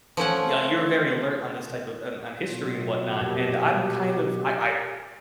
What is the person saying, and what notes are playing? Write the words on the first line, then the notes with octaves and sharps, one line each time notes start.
yeah, you're very alert on this type of, on on history and whatnot, and I'm kind of I I
F3 A3 C#4 F#5
B2 F#3 F4
A#2 F3 G4